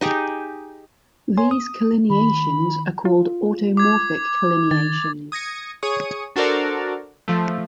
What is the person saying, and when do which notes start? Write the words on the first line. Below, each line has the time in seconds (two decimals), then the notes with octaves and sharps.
These collineations are called automorphic collineations.
0.01 D#4 G4 G#4
1.37 C#5 G#5 C6
1.51 D#6
2.10 D#3 B5
3.05 F4
3.77 D6 G#6
4.71 D#3 A6
5.32 D#6 G#6 A#6 C#7
5.83 G#4 C#5 C#6 D#6
6.36 D4 F#4 A4 A#4 C5 D5
7.28 F3 A3